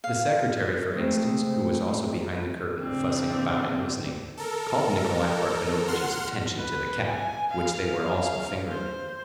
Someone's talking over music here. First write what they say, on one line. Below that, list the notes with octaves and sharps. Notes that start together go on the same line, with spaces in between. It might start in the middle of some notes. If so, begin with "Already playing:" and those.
The secretary, for instance, who was also behind the curtain, fussing about and listening, called Nikolay Parfenovitch's attention to the cap, which they were also fingering.
F5
G#3 A3 C4
G#2 C#3 C4 D4
A4 A#4
F#5 C6 F6
B4
G#5
F5
F5
C5